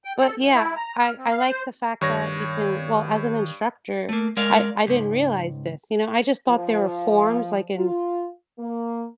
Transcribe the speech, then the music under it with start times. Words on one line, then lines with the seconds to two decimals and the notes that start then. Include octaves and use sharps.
But, yeah, I I like the fact that you can well, as an instructor, I I didn't realize this, you know, I just thought there were forms, like, in
0.05 G5
0.18 A4
0.39 F3
0.54 E4
0.76 A#5
1.01 F6
1.18 C4
1.30 F5
1.45 C5
2.01 G2 D#3 C#5 A#6
4.09 A3 A#3
4.37 G#3 A#4 D5 F5
4.87 C#2 G#2
6.49 F3
7.76 F4
8.58 A#3